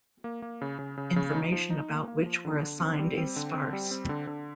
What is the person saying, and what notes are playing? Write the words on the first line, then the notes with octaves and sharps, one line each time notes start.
Information about which were assigned is sparse.
A#3
A#3
C#3
C#3
C#3
C#3
D#4
F3
D#4
A#3
A#3
F3
D3
D3
C4
G3
C4
D3
C4
G3
C4
D3
D3